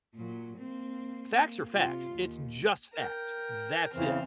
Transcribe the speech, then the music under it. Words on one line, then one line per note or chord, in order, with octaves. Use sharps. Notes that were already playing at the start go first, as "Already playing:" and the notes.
Facts are facts. It's just facts. That's it.
A#2 F#3
A#3 C4
A#3
C3 F4
D#2
A#4 G5
E2 C#3 E3 C4 F6